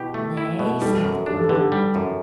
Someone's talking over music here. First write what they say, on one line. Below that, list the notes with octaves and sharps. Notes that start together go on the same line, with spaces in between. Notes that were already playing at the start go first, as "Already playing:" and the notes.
"Nay!" said the collar.
Already playing: B2 E4 G4
A3
E4
B2
G3 F#4 A4
F#2
D4 G4
A4
D3 G4 B4
G3
F#2